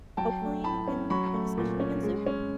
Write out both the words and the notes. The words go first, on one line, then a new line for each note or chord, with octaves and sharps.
hopefully we can have a discussion again soon.
F#3 G5 A5
A3
A2 A5 B5
C#4
F#3 B5 C#6
A3
A#2
C#4
G#3
C#4